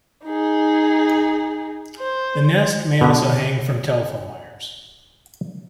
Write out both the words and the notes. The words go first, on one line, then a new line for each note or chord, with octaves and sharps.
The nest may also hang from telephone wires.
D#4 G#4
C5
B2 D3